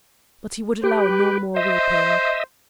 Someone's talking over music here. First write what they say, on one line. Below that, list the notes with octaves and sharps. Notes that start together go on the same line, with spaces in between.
But he would allow no more weeping.
G4 B4
C5 D#5 E5